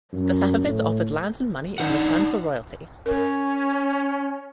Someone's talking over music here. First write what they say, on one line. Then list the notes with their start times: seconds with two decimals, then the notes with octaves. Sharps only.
The Safavids offered land and money in return for loyalty.
0.13 F#2
0.62 A2
1.78 D4 D#4 F#5
3.06 C#4 A#4